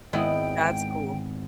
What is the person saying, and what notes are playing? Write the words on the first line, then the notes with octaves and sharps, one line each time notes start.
That's cool.
G#1 G#3 B3 E4 G5